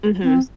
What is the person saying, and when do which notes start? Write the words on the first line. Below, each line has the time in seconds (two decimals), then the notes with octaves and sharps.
Mhm. S
0.24 C4